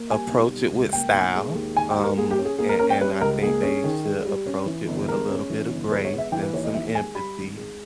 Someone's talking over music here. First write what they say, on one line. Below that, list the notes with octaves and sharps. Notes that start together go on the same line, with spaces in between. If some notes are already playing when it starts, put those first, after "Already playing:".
approach it with style, um, and and I think they should approach it with a little bit of grace and some empathy.
Already playing: A#3
G3 G#5
B1
G3
C#2
A#3 G5
B1
G#3
D#2
D#3 G#5
G5
G3
A#4
A#3 G#4
G4
C#4
G#4
A#3 G#4
A#4
C#4 A#4
G5
G3 B4
C#2 A#4
A#3 G#4
C#4
D#3
G#3
G3
C#4
E3
G1
G#3 A#4
C#4
E3
G1
G#3 B4
C#5
B3
E5
E3 G5
B4
D#2 C#5
D#5
E3 E5
G#3 G#5
G3 B5
G#1
G#3